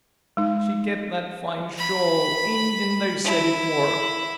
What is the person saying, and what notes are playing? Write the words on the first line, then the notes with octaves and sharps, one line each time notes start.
She kept that fine shawl, Indian they said it wor.
G#3 D#4
B5
E4